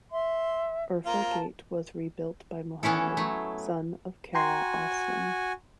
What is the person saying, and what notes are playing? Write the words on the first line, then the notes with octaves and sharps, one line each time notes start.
Urfa Gate was rebuilt by Muhammad, son of Kara Arslan.
E5 C6
A#3 C4 F4
A5
E3 B3 C#4 E4 A4
F#3 A3
F#4 G5 G#5 A#5 C6